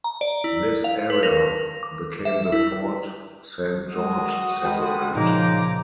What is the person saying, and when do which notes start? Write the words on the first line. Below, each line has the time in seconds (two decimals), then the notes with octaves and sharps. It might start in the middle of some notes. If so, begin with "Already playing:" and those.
This area became the Fort Saint George settlement.
0.04 A#5
0.21 D5
0.44 E4
0.84 F5
1.10 B4
1.23 A#4
1.83 D6
2.25 E5
2.52 E4
3.92 G#3 F#4 D#6
4.63 G#3 G5 A5 B5
5.15 C#2 A#2 F3 G#3 A#3 D#4 A#5 D6